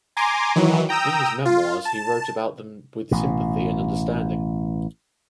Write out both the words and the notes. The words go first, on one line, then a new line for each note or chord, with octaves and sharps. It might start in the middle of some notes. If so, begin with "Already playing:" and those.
In his memoirs he wrote about them with sympathy and understanding.
G#5 A#5 C6 D6
D#3 E3 F#3
G5 A#5 D#6 E6
F4
A5
A1 B2